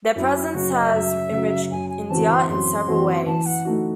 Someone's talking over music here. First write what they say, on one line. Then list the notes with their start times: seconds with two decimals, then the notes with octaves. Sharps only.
Their presence has enriched India in several ways.
0.16 F#2 E4
0.35 E4
0.54 C#3 F#3 F#4
0.73 D#5
0.92 F#2 E5
1.31 C#3 F#3
1.71 F#2 G#5
1.90 G#5
2.10 E3 C4 F#4 A5
2.30 C6
2.48 F#2 C6
2.87 E3 C4 F#4
3.26 E3 A5
3.46 F#5
3.65 A3 D#4 F#4